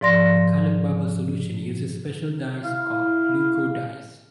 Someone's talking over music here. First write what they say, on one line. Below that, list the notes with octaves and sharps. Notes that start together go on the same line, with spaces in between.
The colored bubble solution uses special dyes called leuco dyes.
G#2 F3 D5 C6 A#6
E4 F5